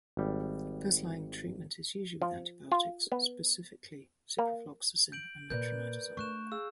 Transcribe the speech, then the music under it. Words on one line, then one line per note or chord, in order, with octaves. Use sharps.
First line treatment is usually with antibiotics, specifically with ciprofloxacin and metronidazole.
G#1 G3
F3
F4
B3
A#3
G6 D7 F#7
A#2 A#3 A#4 B4 D5 G6
A3 D4 C#6 F#6 E7
G#4 F5 E6